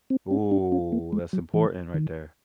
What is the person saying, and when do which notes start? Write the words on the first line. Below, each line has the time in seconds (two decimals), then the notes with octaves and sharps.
Ooh, that's important right there.
0.10 C4
0.31 C#4
0.52 D4
0.72 C#4
0.92 A#3
1.13 G#3
1.33 F#3
1.54 E3
1.94 D#3